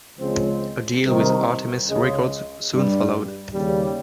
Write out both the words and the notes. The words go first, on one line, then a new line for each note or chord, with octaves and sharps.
A deal with Artemis Records soon followed.
C#2 C#3 F3 G#3 C4
C2 C3 D#3
C#2 C#3 G#3
G2 G3
D#2 C#3 G3